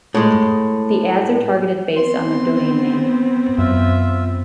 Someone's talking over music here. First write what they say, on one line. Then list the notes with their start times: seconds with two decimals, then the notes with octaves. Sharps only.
The ads are targeted based on the domain name.
0.14 A2 G#3
1.96 B3 C4 C6
3.58 F#2 F4 E5